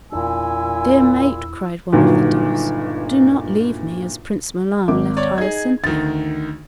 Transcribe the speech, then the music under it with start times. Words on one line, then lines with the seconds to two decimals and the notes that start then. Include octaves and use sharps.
"Dear mate," cried one of the doves, "do not leave me as Prince Milan left Hyacinthia."
0.12 E2 A#2 D4 E4 G#5 E6
1.93 G1 G2 A#2 D#3 F#3
4.88 G#1 D6
5.17 C#5 D5
5.38 D#4 G#4 G#6
5.84 D2 D#3 A6